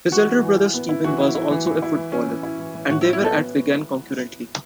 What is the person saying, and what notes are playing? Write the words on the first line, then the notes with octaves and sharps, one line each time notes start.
His elder brother, Steven, was also a footballer and they were at Wigan concurrently.
E3 F#4
E3
E3
E3
B3
E4
E3 F#4
E4
E4
E3
E3
E4
E3
C#4
E3
E4
E3
E3
A2 F#4
E4
F#3
E4
B3 A4
B3